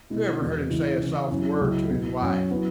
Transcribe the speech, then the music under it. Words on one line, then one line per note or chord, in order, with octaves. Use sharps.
Who ever heard him say a soft word to his wife?
B2 G#3 E4
E2 B2 G#3 B3
C#3 E3 G#3 E4
C#3 E3 C#4 E4
F#2 F#3 C#4 E4
C#2 C#3 F#3 E4
B2 B3 E4
F#2 F#3 C#4
F#3 B3 E4